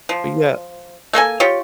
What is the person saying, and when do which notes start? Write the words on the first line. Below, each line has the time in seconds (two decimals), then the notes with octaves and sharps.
But yeah
0.09 F3
1.13 A3 A#3 A4 G#5
1.40 F4 G4 C#5